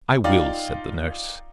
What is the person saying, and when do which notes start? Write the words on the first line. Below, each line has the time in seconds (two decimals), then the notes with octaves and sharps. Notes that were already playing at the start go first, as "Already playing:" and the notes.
"I will," said the nurse.
0.24 D#4 F4 D5 F5 G5